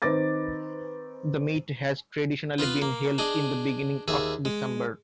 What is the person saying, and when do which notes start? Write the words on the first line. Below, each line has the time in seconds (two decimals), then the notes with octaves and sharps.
The meet has traditionally been held in the beginning of December.
0.02 D#3 C4 B4 D6 A6 A#6
2.58 B3 F4 B4 F5
2.82 A#3
3.18 D4 G#4 D#5
4.08 D#2 G#4 E5
4.45 G#3